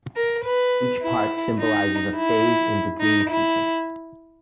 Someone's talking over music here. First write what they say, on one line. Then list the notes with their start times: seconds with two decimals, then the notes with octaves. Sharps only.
Each part symbolizes a phase in the dream sequence.
0.16 A#4
0.45 B4
1.02 E4
1.59 D#4
2.16 E4
3.01 D#4
3.30 E4